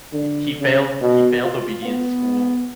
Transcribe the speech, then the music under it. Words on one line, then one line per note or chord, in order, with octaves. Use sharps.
i he failed he failed obedience school,
D3
C#3
B2
F4
B3